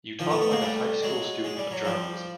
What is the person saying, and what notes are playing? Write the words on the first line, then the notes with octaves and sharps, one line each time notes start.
You talk like a high-school student of journalism.
D#3 F3
A3 B3
A3 B3
G#3 A#3
G3 A3
F#3 G#3
G#3
G3
F#3
F3 G3